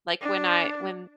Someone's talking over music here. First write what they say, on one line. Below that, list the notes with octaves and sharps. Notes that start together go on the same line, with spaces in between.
like, when I when
D4